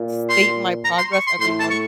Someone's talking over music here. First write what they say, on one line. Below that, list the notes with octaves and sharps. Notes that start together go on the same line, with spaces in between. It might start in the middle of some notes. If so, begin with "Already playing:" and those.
state my progress every month.
Already playing: A#2
C6
A#5
C6
C#6
C6
A2 C6
A5
C#6